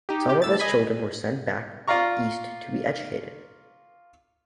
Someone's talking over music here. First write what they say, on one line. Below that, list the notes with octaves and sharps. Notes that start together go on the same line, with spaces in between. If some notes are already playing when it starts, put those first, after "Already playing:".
Some of his children were sent back east to be educated.
D#4 G4
G4
A2 E6 A6
G#4 D#5 G#5 B5
F4 D5 F5 A#5 C#6